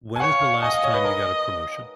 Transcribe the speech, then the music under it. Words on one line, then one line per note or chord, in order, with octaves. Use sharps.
When was the last time you got a promotion?
G#5
C#5 F#5
F5
F5
D#5 G#5
F5
C#5
B4
A#4